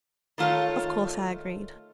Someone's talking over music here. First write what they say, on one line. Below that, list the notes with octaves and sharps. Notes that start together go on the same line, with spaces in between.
Of course I agreed.
D#3 A3 F4 A4 C#5